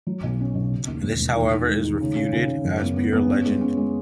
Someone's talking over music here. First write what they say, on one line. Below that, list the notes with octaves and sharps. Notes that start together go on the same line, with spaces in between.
This, however, is refuted as pure legend.
F#3
B1
C#4
B1
C#3
D#2
E1
E1
D#3
D#3
G#3
D#3
C#3
C#3
C#3
C#3
F#2
B3
B3
B3
C#4
G#3
C#4
G#3